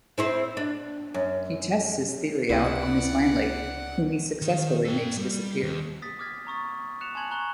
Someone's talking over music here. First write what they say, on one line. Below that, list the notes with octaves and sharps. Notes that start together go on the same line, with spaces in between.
He tests his theory out on his landlady, whom he successfully makes disappear.
C4 E4 C5
D4
F#2
C#2 C3 B3 E4 D5 F#5
D#3
A4 G5
G3
D#2
D#6 A6 B6
D6 D#6 F6 G#6 A6 B6
A#5 C#6 D#6 A6
F#6 C#7 E7 F7
G#5 A5 C6 G#6 F#7
A#5 C#6 F#6 G7